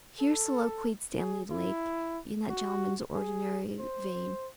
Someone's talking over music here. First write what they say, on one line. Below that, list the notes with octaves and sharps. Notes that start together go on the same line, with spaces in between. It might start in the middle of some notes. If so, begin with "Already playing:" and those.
Here soliloquised Stanley Lake in that gentleman's ordinary vein.
A4
G#4
E4
F#4
G#4
C5